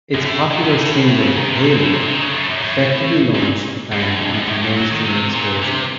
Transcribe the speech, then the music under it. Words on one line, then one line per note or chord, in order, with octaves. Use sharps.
It's popular single, "Halo", effectively launched the band into mainstream exposure.
F#2
A2
A#2
C3
A2
A2
A2
C#3
D#3
C3
A#2
A2
A#2
C3
D#3
C#3
F#2
F#2
A2
A2
A#2
F#2
A2
F#2
F2
F#2
A2
A#2
F#3
D#3
C3
A#2
C3